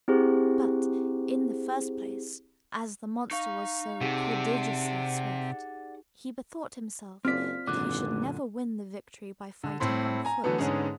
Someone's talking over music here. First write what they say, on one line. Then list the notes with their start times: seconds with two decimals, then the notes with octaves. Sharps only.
But, in the first place, as the monster was so prodigiously swift, he bethought himself that he should never win the victory by fighting on foot.
0.08 C4 E4 G4 G#4 C5
3.31 D#4 F5 C#6
4.01 C3 D#4 G4 G#4 D5 F#5
7.25 F#1 C4 F4 D5 F6 B6
7.67 G#1 F#2 A#2 D3 D6 F#6
9.64 D3
9.80 A2 C4 E4 C6
10.25 G#5 A#5
10.44 D3 E3 F#3 A3 B3
10.58 G#2 D3 G#3 B3 C#4 G#4